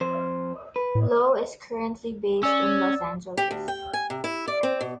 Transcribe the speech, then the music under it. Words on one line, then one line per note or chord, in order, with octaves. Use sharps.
Low is currently based in Los Angeles.
F2 C5
B4
A2
C#4 D5 E6
G4
D2
G5
G#5
C3
E4
D5
C4
B2